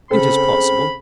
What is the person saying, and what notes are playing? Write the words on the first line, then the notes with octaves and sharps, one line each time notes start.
"It is possible."
C#3 C4 A4 B5